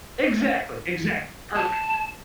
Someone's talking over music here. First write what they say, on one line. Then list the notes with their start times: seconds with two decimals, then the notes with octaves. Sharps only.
Exactly, exactly, perfect.
1.56 A5